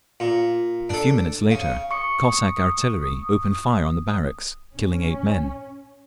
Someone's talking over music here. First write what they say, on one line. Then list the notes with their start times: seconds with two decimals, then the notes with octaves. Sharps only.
A few minutes later Cossack artillery opened fire on the barracks, killing eight men.
0.20 A#2
0.90 D4 A4
1.50 C#3
1.91 C#6 D#6 C#7
4.75 C#4